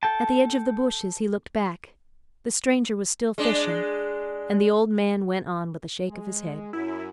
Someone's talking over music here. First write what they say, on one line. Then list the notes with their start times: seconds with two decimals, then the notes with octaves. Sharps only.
At the edge of the bushes, he looked back; the stranger was still fishing, and the old man went on with a shake of his head.
0.03 A4 G5 A5
3.38 G#3 D4
6.09 G#3
6.73 F#2 E4